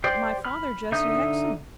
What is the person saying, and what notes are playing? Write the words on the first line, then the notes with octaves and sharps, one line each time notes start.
'My father, Jesse Hexam.'
G4 C5 D5
B5 F6
D3 D#4 E5 D#6 G6